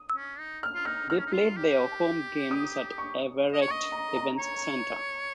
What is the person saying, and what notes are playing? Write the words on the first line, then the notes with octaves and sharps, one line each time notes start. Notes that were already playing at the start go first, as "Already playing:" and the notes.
They played their home games at Everett Events Center.
Already playing: D#6
C#4
D#4
F6
F4
D#4 F6
D#4 F6
C#4
D#4
F4
G4
D#6
C#6
D#5
C#5
D#5 C#6
A#5
A#5
C#5